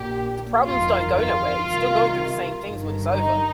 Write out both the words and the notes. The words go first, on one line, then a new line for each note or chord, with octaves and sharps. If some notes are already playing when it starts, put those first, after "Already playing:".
The problems don't go nowhere, you're still going through the same things when it's over,
Already playing: A#1 A#2 G4
G1 F2 D#3 F4
F4
C2 C3 D#3
G1 G2 D#3
D#4